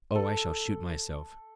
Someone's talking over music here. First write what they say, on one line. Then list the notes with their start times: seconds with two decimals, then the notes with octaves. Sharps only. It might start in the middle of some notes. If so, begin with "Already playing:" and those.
Oh, I shall shoot myself!
0.15 A4